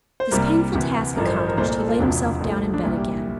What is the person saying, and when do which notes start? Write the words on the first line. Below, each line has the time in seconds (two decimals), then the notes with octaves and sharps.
This painful task accomplished, he laid himself down in bed again.
0.20 C5
0.31 C2 C3 G3 A#3 A#4
0.74 D2 C3 E3
1.16 A1 G2 F3 A3 A#4
1.26 C5
1.37 C5
1.48 A#4
1.58 C2 A#2 A3 C5
1.68 A#4
1.79 A4
1.89 F4
1.99 E1 D2 C3 F3 D4
2.41 A#1 A2 F3 A3
2.74 D4
2.83 C2 A#2 G3 A#3 E4
2.98 G4
3.11 E4